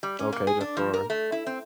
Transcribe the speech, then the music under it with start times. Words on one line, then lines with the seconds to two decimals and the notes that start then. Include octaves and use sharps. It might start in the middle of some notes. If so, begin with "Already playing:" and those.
Okay, just roar.
0.03 G3
0.19 C#4
0.32 A#3
0.47 G#4
0.61 D4
0.77 F3
0.94 A#4
1.10 A3
1.32 E4
1.47 C4